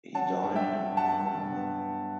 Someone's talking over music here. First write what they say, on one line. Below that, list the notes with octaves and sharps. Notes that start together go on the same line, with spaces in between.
He died in Parma.
F#3 F#5 A5
G2
E5 G5
G2
G2 F#5 A5
G2
B3